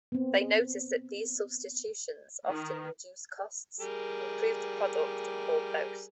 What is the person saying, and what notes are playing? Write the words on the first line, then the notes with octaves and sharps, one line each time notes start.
They noticed that these substitutions often reduced costs, improved the product, or both.
B3 C4
D#3
G3 G#4 A#4